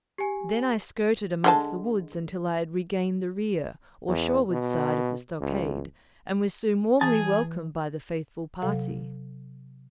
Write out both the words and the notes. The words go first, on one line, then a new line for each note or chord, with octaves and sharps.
Then I skirted among the woods until I had regained the rear, or shoreward side, of the stockade, and was soon warmly welcomed by the faithful party.
G4 G#5
D3 G#3 A5
E2
B2
C#2
E3 G#4 A5
C3 F#3 A4 F5 F#5